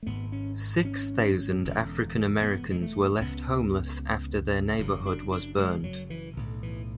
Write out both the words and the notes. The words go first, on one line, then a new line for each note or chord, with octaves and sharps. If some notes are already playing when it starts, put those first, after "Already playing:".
Six thousand African-Americans were left homeless after their neighborhood was burned.
A3
G#1 G#2 B3
C#4
C#4
E1 E2 D3
B3
G#3
A3
C#2 C#3 B3
F#1 F#2 C#3
D4
D4
G#3
F#3
E3
B1 A2 D3
E3